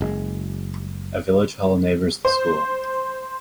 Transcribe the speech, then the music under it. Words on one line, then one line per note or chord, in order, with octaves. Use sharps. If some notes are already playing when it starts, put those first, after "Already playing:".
A village hall neighbours the school.
F#1 G#3
C5